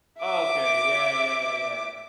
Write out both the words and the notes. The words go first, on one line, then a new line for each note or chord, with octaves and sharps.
Okay, yeah, yeah, yeah.
E5 D6